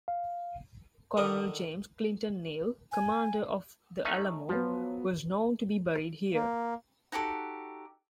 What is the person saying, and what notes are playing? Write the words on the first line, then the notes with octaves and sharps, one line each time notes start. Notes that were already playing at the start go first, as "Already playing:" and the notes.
Colonel James Clinton Neill, commander of the Alamo, was known to be buried here.
F5
D3 D#3 D#5
G#5
A3 C#4 D#4
F3 F#3 B3
A#3
D#4 F#4 G4 A4